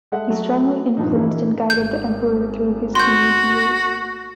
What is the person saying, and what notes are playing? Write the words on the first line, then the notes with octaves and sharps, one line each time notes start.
He strongly influenced and guided the emperor through his teenage years.
G#3 A4 E5 F#5
F#3 A3 F#4
G2 A#2 F3 D#4
A#2 E3 A#3 C#4 D#4
G#1 G6
F#4 C6 G6